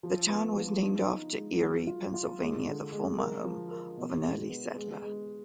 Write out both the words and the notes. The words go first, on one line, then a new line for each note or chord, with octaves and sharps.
The town was named after Erie, Pennsylvania, the former home of an early settler.
F3
B3
F3
D#4
D#4
G#3
F#3
F4
F4
G#3
D3
G#3
A#4
F3
A#4
B2
G#3
B3
G#3
G#3